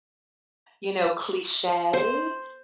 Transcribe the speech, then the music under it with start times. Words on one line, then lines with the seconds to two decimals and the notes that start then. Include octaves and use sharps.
you know, cliche,
1.93 C5